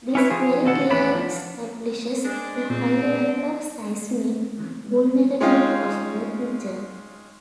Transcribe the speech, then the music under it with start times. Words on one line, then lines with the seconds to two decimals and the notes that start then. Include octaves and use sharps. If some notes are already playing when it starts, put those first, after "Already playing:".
This very clearly establishes the high level of seismic vulnerability of the region.
0.15 C#4 E4 B4 C#5
0.30 F3 C4 G#4
0.65 D#2 B2 A4 F#5
0.90 E2 A2 B3 D4 B5
1.15 F3
2.25 G#3 D4
2.70 A#2 G#3 C4
3.03 B3
5.40 G#3 C#4 D#4 F4 F5 G5